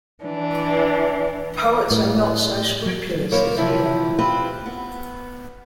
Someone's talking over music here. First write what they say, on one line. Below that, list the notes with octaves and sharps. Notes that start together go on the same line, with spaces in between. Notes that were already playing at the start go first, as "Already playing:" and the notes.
Poets are not so scrupulous as you are.
E3 D4
A2
F#3
A#3 E4 A#4 C5 C#5
C3 E3 F3 E4
C4 F4 G4 B4
B3